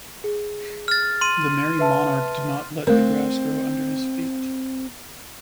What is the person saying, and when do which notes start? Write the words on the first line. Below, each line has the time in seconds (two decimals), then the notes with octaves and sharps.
The Merry Monarch did not let the grass grow under his feet.
0.24 G#4
0.88 F6 A6
1.21 C6 D#7
1.79 B4 E5 A5
2.87 A3 C4 A#4